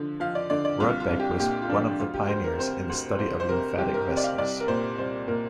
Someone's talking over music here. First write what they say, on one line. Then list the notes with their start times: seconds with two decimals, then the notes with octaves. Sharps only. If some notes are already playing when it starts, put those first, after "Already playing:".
Rudbeck was one of the pioneers in the study of lymphatic vessels.
Already playing: D3 F3
0.20 F3 F5
0.35 D5
0.50 D3 D5
0.65 D5
0.80 C2 F4
1.00 F4
1.10 C2
1.20 G4
1.40 A#2 G4
1.62 F4
1.69 F3 D4
1.99 D2 F4
2.14 G4
2.29 D2 C5
2.44 A#4
2.59 C3 C5
2.89 D2
3.18 C2 C5
3.40 C5
3.49 C3 A#4
3.78 C2 G4
3.94 A#4
4.08 C3
4.17 D5
4.23 F5
4.38 C2 D5
4.60 A#4
4.68 A#2 C5
4.98 C2 C5
5.28 A#2 A#4